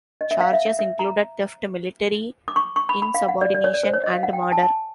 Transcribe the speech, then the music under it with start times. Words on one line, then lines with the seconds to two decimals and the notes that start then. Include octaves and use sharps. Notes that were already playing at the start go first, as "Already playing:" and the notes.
Charges included theft, military insubordination, and murder.
0.21 D#5
0.31 E5
0.41 F5
0.53 E5
0.66 E5
0.79 E5
0.99 A#5
2.48 D6
2.56 C#6
2.76 C#6
2.89 B5
3.02 B5
3.14 F5
3.28 F#5
3.41 D5
3.54 D5
3.64 C#5
3.74 D5
3.83 C5
3.93 C#5
4.04 D#5
4.13 F5
4.23 F#5
4.33 G5
4.43 G#5
4.52 A5
4.63 A5